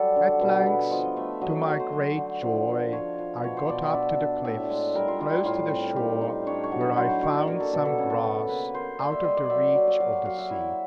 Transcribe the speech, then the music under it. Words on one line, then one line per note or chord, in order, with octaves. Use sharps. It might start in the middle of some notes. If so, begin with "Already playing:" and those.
At length, to my great joy, I got up to the cliffs close to the shore, where I found some grass, out of the reach of the sea.
Already playing: F#3 G3 A4 D5
D3
B2
B3
F3 D#5
A3 E5
F#3 D#5
F#3
C5
F#3
D3
F3
F3
F3 C#5
F3
B2 C#5
C5
B2 D5
E5
D4 D5
D4
A2 E5
G#3
G3 A#4
F4
G3 F4
E4
A2 F4
C4
D#4 G4
D#4
D4 C#5
C#5
F#3
B4
F#3 C5
C5
F#3 C#5
D5
A#3 A#4
A4
B2 A4
A4
C#3 G#4
A4
B3
A#3 B4
A#3 C5
A#3 D5
E5
G3 D#5
D5
F#3 E5
F#3
F5
F#3 F5
F5
F#3 F5
E5
E4